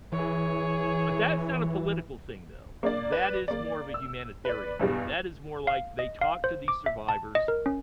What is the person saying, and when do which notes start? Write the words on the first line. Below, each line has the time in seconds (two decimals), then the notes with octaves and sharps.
But that's not a political thing, though. That is more of a humanitarian thing. That is more like they talk to these survivors,
0.12 E3 G#4 C#5
2.83 A#3 D4 D5
3.12 B4 D5
3.48 A#3 D5
3.94 E6
4.45 B4 D5
4.80 E2 G2 B2 G3
5.67 F5
5.99 D#5
6.21 F5
6.44 C5
6.68 D6
6.86 E5
7.09 A5
7.35 D#5
7.48 A#4
7.66 C#4